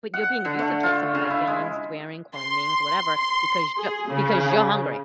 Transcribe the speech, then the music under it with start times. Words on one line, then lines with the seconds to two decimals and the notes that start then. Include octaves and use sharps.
But you're being abusive towards someone by yelling, swearing, calling names, whatever, because you're because you're hungry.
0.14 F#5
0.45 D3
0.59 A3
0.83 F4
1.15 C#3
1.30 E4
1.47 G#3
2.34 C6
3.17 C6
3.77 G#4
4.07 C#3